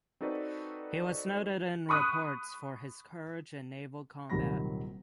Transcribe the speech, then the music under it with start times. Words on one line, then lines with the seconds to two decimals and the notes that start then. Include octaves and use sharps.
He was noted in reports for his courage in naval combat.
0.21 C4 D#4 F#4 A4 B4 D5
1.89 B5 C#6 D#6 F#6
4.30 D#1 C3 D#3 F#3 B5 A#6